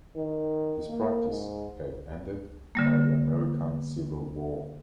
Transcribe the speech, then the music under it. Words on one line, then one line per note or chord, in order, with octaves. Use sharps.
This practice had ended by the American Civil War.
D#3
A#3
G#2
D3 G3 A#3